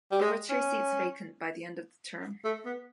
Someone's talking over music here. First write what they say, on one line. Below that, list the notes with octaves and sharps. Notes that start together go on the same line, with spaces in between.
There were two seats vacant by the end of the term.
G3
G#3
C#4
A3
B3